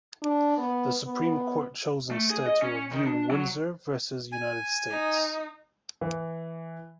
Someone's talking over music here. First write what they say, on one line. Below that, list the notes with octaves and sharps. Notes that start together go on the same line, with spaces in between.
The Supreme Court chose instead to review "Windsor versus United States".
D4
B3
B3
A3
G#4
D#5
C#4
D#3
D4
F#3
G#5
D#4
E3